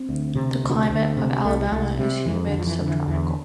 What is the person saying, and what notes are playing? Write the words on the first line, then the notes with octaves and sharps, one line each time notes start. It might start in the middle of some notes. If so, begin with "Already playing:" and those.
The climate of Alabama is humid subtropical.
Already playing: C4
D2
C3
D2
D2
C3
C2 A3
C2 A3
C3 G3
F2 E3
D3
F2
F3
E3
D3
E3
E2 E3